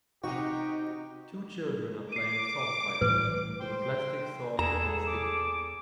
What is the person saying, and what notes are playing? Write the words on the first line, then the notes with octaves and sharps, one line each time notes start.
Two children are playing sword fighting with a plastic sword and a stick.
C3 D#4 F#4 G4 C#6
D6 C7 D#7
A2 E3 G3 B4
C5 G5 C6
E2 G#4 A4 A#5 E7
D6